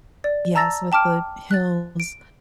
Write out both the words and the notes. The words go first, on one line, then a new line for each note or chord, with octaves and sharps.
Yes, with the hills,
D5
A5 A#5 E6 A6 A#6
G5 A5 D6 F6 D7
F#6 A6
D7